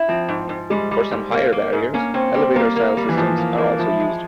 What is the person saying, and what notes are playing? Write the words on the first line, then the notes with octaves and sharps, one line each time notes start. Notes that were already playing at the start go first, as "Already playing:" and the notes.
For some higher barriers, elevator-style systems are also used.
Already playing: E4
F3 C4
G#2
G#2
G3 G#3
G3
G#2
A#3
A#3
G#2
A#3 C#4
C4 C#4
G3 C4
G3 A#3
A#3
G3
E3
G#2 F3
A#3
A#3
F3 E4
G#3